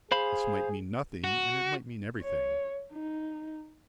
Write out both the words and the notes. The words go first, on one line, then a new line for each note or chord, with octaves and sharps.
This might mean nothing, and it might mean everything.
G#4 C5 F5 B5
F#4
C#5
D#4